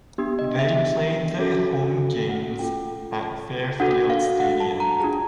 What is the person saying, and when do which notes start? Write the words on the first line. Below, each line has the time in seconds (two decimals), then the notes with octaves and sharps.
They played their home games at Fairfield Stadium.
0.18 B3 D4 G4
0.39 D#5
0.59 E5
1.39 C#4 F#4 A4
2.29 F#5
2.59 C#4 F4 A4 G5
3.80 D4 F#4 A4 F#5
4.10 F5
4.40 F#5
4.60 A5
4.80 A#5
5.00 D4 F4 G#4 A5